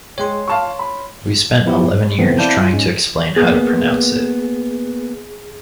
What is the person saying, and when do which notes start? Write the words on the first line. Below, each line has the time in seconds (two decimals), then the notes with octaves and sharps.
We spent eleven years trying to explain how to pronounce it.
0.18 G#3 C#5 G5 C6
0.48 F5 A5 C#6
0.79 B5
1.66 F3 B3 E4 G4
1.93 G#2
2.19 C#3 E3 F3 A3 B3 C4
2.38 C4 E4 D5 F5 A5 G6
2.61 F4
2.73 G#2 G#3 C#4
3.36 A#3 B3 G#4